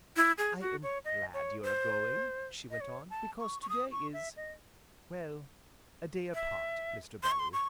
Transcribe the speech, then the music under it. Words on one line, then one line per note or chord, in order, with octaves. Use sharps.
I am glad you are going," she went on, "because to-day is--well, a day apart, Mr. Bellew.
E4
G#4
F#4
C#5
D#5
C#5
C5
D#5
C#5
A5
C#6
C#6
D#6
C#6
E5
D#5
E5
C6
C#6
C6
C#6